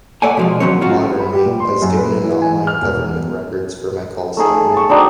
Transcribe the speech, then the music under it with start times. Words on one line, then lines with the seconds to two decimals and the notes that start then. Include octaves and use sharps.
Modernly - as given in online government records for my callsign.
0.22 A4 C#5 D5 F#5 G#5
0.37 B2 F3 G#3
0.60 D#3 F3 F#3 C4 C#4 C#5
0.81 C#4 F4 F#4
1.20 B5
1.33 G4
1.46 A#2
1.60 C6
1.82 F#2
1.97 B4
2.23 E3
2.42 G#5
2.67 F6
2.82 E1
4.37 A3 D#4 G#4 G#5
4.73 A5 C#6
4.89 C4 D4 D#4 F#4